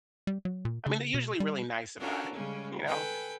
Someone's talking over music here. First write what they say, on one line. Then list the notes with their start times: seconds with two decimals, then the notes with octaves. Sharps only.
I mean, they're usually really nice about it, you know.
0.27 G3
0.45 F#3
0.65 A#2
0.86 C#3
1.14 B2
1.40 G3
1.98 C#4 D4 F4 F#4 A4 A#4
2.33 C#3 G3 G#3 C#4
2.85 A4 B4 G5 G#5